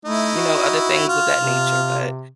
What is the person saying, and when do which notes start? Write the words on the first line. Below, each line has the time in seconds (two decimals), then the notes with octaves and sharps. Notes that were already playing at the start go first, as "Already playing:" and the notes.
you know, other things of that nature, but
0.05 A3 D#4 E4
0.36 F#4
1.09 F4
1.36 C3